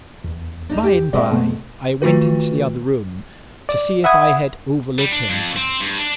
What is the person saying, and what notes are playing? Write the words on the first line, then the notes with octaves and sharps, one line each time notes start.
By-and-by I went into the other room to see if I had overlooked anything.
E2
D4 D#4
G4
G#3 C4 F#4 D5 E5
B2 A3 B3
D#3 A3 F4 F#4 B4
D5
E5 F#5 B5 D#6 G#6
G3
D4
F2
C4
G2
D4